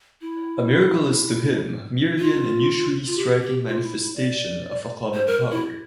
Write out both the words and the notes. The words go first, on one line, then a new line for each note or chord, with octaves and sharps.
A miracle is to him merely an unusually striking manifestation of a common power.
E4
F4
F4
G4
G4
F4
E4
E4
D5
C5
A#4
E4